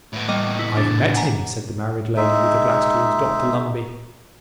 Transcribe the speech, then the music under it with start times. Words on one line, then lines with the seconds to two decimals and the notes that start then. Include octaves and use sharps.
'I've met him,' said the married lady, with a glance towards Dr Lumbey.
0.13 A2 B3
0.28 G3 A#3 D#5
0.59 E4
0.77 D4
1.14 F#5 G#5 A#5
2.17 G#3 D#4 E5